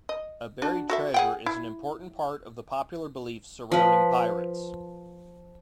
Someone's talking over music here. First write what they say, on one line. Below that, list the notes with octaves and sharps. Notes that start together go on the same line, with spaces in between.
A buried treasure is an important part of the popular beliefs surrounding pirates.
D#5
D4 F#4 A4
F#4 A4 E5
G#4 F#5 G5
E4
F3 B4